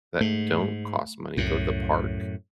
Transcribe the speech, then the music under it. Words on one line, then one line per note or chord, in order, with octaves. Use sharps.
that don't cost money; go to the park,
G#2 A3
C2 F#2 A2